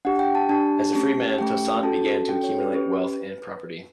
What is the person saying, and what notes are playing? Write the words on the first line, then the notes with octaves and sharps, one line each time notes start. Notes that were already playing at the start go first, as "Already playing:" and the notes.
As a free man, Toussaint began to accumulate wealth and property.
D4 G4 F#5
G5
A5
D4 G4 A5
A3 C#4 G4
A3 C#4 G4 G5
C#4 F#4 A4 A5
C#4 F#4 A4 G5
C#5
B4
C#4 G4 B4